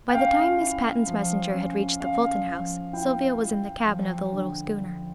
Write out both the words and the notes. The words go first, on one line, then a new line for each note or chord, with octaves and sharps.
By the time Miss Patten's messenger had reached the Fulton house Sylvia was in the cabin of the little schooner.
G5
C#4 F5
E4
F3
C#4
C#4 F5
F3
E4 G5
E4
F3
D3
F3